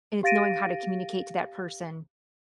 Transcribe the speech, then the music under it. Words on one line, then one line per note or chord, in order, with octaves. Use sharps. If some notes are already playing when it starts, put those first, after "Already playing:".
and it's knowing how to communicate to that person
G4 F5 A6 A#6 D7 D#7